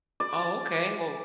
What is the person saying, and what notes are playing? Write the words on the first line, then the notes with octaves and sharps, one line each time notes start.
Oh, okay. Well
D5